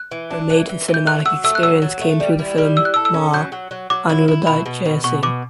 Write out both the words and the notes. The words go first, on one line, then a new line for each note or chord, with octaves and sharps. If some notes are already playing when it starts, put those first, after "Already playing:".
Her maiden cinematic experience came through the film "Maa" Anuruddha Jayasinghe.
Already playing: F#6
E3
D4
E3
E3
E3
G6
A3 F#6
F#3 E6
A3 E6
F#6
F#3 E6
F#3
A3
G3
E4
G3
E4 E6
F#6
A4 E6
E6
C#4
F#3 G6
F#3
F#3
F#3 D6
E4
E4
B2 B5
B2
B2
B2 C#6
B2 D6